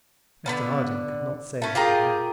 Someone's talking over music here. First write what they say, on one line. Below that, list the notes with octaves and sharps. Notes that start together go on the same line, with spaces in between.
Mr Harding could not say that he had.
D3 B3 C#4
A3 C#4
F4 G4 G#4 A#4